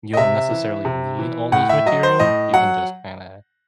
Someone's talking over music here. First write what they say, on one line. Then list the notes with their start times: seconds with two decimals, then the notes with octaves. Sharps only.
you don't necessarily need all those materials, you can just kinda
0.13 D#5
0.17 C3 E5
0.51 E3
0.85 C3
1.19 E3
1.52 A2 F#5
1.69 E5
1.86 F#3 D#5
2.03 C5
2.19 A2 D#5
2.53 F#3 F#5